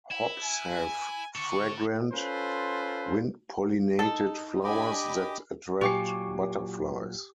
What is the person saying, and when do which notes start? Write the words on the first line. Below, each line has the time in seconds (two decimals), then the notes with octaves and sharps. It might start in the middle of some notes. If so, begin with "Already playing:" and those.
Hops have fragrant, wind-pollinated flowers that attract butterflies.
0.11 E4
0.44 G#5
1.36 A4 D5 C#6
2.13 C#4 F4 A4 B4 C5
3.99 D#4 A4
4.65 D4 G4 D#5 G#5 B5 D6
5.81 A#2 F#3 G4 G5 G#5 C#6 D6 C7